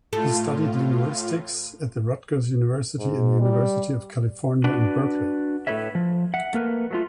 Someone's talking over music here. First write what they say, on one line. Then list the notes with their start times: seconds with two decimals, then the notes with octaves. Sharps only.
He studied linguistics at the Rutgers University and University of California in Berkeley.
0.13 A2 A3 F4
2.99 G#2
3.40 G3
4.64 D4 F#4 B4 D5
5.67 A2 A4 B4 C#5 E5
5.95 F3
6.34 E5 F#5
6.53 A3 A#3 A#4 B4
6.91 F#3 A3 F4